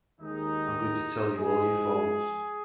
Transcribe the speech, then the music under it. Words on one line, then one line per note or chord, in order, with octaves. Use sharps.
I’m going to tell you all your faults.
D#2 D#3 G#3 D#4
G#2 F3 G#3 G#4